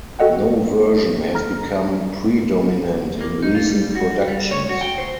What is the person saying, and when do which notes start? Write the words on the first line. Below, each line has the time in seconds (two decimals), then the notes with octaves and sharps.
No version has become predominant in recent productions.
0.19 F#4 A4 D#5 F#5 G5
1.35 A#5 F6 A#6
3.21 A#3
3.42 D#4
3.55 F4
3.69 G3
3.95 F#4
4.28 G3
4.51 C#5
4.69 F#4
4.81 G5
4.98 C5